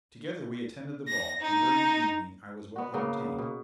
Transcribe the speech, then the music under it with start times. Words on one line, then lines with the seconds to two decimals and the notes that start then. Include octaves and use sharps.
Together we attended the ball, and during the evening I was well entertained.
1.08 A#6
1.41 D#4
2.76 B3 F#4
2.94 C#3 A#3 B3
3.38 B2